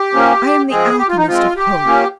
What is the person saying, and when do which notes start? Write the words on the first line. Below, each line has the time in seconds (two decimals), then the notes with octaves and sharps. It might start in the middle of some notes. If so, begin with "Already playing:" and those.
I am the alchemist of hope.
Already playing: G4
0.13 F3 A#3 C#4
0.70 F3 G#3 C4 G#4
0.99 G4
1.09 F4
1.18 D#4
1.27 F3 G#3 C4 F4
1.56 G4
1.85 F3 A#3 C#4